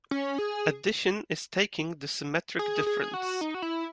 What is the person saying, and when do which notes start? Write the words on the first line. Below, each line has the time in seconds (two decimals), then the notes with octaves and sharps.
Addition is taking the symmetric difference.
0.11 C#4
0.39 G#4
2.59 G#4
2.86 G#4
3.14 F#4
3.41 D#4
3.54 F#4
3.62 E4